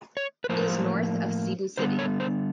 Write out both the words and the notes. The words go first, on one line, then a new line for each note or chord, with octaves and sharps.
It is north of Cebu City.
C#5
B4
A2 F3 A#3 C5
D3 G3 B3 C5
C#5
C5